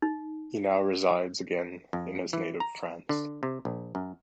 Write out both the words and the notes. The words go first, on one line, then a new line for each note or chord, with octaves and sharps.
He now resides again in his native France.
D#4
F2
E3
A#5
D3
C3
A#1
F#2